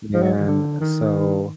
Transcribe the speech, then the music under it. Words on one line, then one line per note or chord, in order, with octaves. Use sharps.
and so,
F3
F#3
D#3
D3
D#3